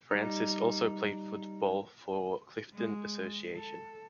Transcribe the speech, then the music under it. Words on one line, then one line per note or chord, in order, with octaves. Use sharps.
Francis also played football for Clifton Association.
G3 D#4
G#3
A4